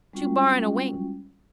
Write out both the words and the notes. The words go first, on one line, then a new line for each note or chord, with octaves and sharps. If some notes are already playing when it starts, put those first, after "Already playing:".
Two bar and a wing.
G3 G#3 C#4 F4 F#4 G5